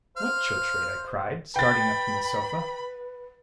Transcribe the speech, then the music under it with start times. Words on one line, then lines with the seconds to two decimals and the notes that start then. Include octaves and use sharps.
"What church-rate?" I cried, starting up from the sofa.
0.17 C5 F5
1.56 B4 G5 B5 A6